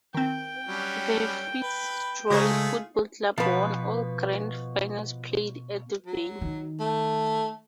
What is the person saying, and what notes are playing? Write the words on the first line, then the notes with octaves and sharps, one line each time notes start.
The Fitzroy Football Club won all grand finals played at the venue.
D#3 C4 G5
F#3 G3 C#4
B4
C#3 G#3 A3 F4 F#4 G#4 C5 A#5
B2 F3 B4
F#3
D#3
A3